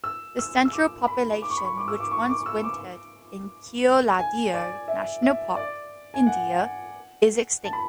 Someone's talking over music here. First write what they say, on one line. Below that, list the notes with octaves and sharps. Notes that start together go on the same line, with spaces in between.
The central population, which once wintered in Keoladeo National Park, India, is extinct.
E6
E6
E6
D6
B5
D6
C#6
B5
C#6
D6
E6
D6
C#6
D6
E6
D6
G#5
D5
E5
E5
D5
G#5
F#5
A5
B5